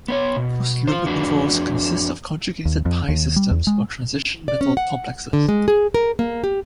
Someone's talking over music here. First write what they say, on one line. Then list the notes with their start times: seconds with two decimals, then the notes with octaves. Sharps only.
Most luminophores consist of conjugated pi systems or transition metal complexes.
0.08 B3 C5 C#5
0.36 B2
0.87 F4 C5
1.05 F2 D4 F#4 B4
2.65 D#2
2.85 F2
3.09 D#2
3.36 G3
3.51 E2
3.67 G#3
4.48 D5
4.61 C#4
4.77 F#5
5.33 D3
5.49 G#3
5.68 G#4
5.94 A#4
6.19 A#3
6.44 G4